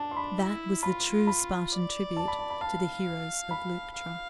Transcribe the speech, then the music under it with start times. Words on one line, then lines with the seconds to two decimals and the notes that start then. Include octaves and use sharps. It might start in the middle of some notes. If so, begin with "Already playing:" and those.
That was the true Spartan tribute to the heroes of Leuctra.
Already playing: D4 A5
0.11 C6
0.17 B5
0.39 E4
0.83 F4 B5
1.27 B5
1.72 D5
2.17 A5
2.28 B5
2.39 A5
2.50 B5
2.61 F5 A5
3.51 B5
3.95 F5